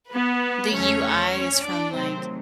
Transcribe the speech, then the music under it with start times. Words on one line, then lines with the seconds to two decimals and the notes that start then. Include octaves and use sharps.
the UI is from, like,
0.10 B3 B4
0.70 E2 C#3 F#3 A3 C#4 C#5
1.31 C#4 C#5
1.62 D4 D5
1.92 C3 D#3 F#3 A3 C4 C5